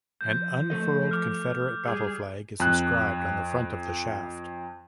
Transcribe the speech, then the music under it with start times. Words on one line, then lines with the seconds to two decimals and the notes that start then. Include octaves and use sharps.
An unfurled Confederate battle flag is inscribed on the front of the shaft.
0.21 F3 G6
0.70 A3 A4 D#5
1.11 D6 F6
1.85 G3 G#4
2.60 F2 F#6